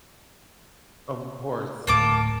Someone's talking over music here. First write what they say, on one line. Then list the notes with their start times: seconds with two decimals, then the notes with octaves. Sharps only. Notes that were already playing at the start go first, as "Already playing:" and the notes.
Of course.
1.87 D1 A2 A#3 A5 D6